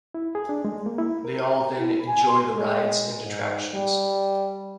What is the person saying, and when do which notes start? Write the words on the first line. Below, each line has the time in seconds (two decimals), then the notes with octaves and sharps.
They all then enjoy the rides and attractions.
0.14 E4
0.35 G#4
0.49 D4
0.65 G#3
0.86 A#3
0.98 E4
1.25 A#4
1.78 E4
2.07 G#5
2.28 C6
2.57 G#3
3.25 G#2
3.74 G3